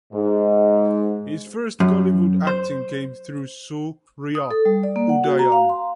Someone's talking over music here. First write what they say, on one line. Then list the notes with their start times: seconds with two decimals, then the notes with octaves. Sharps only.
His first Kollywood acting came through "Suriya Udayan".
0.13 G#2
1.80 F#2
2.47 C5
4.35 D#6
4.51 A4
4.65 G3
4.83 D5
4.96 A#3
5.09 F#5
5.24 F#4
5.39 A#5
5.52 F5
5.69 C6